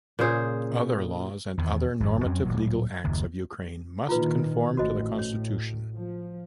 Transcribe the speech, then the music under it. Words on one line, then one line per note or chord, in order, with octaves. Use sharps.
Other laws and other normative legal acts of Ukraine must conform to the constitution.
A#2 C#3 G#4 C5
E2 D#3
G#1 F#2 A2
F2 F#3 C4 C#4
D1 G1 A#2 F#3
F#1 D#2
A#2 D#3 E4 F4 B4
A1 F#4 C5 D#5
A2 C#5
F3